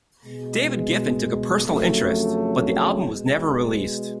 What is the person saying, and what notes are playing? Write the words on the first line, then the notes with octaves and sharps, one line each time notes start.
David Geffen took a personal interest, but the album was never released.
B2 G#3
F2 C#3 F#3 A3
B2 G#3